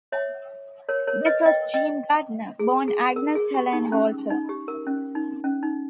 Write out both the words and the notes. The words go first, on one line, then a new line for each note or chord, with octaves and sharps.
This was Jean Gardner, born Agnes Helene Walter.
C#5 E5
A#4 C#5
A#4 C#5
B4 D#5
D#5 G5
D#5 G5
G#4
G#4
A#4
G#4
G4
D#4
C#4
D#4
G4
A#4
C#4
D#4
C#4
D#4